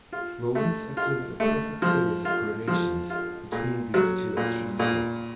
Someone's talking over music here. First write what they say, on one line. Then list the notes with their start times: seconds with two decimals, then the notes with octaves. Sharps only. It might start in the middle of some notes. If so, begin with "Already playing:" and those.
The rodents exhibit a perfect series of gradations between these two extreme states.
0.12 F4
0.55 A3
0.97 F4
1.40 A3
1.82 F3
2.25 F4
2.68 F3
3.10 F4
3.52 A#2
3.94 F#3
4.37 A#2
4.79 A#2